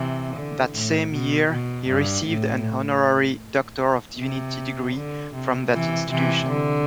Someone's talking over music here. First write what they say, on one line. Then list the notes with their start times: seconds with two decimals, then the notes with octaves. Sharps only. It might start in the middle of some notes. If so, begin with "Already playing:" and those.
That same year he received an honorary Doctor of Divinity degree from that institution.
Already playing: C3 E3
0.35 D3
0.74 A2
1.12 B2
1.51 B2
1.90 G2
2.27 A2
4.19 C3
4.95 D3
5.34 C3
5.72 C3 E3
6.11 C3 E3
6.49 D3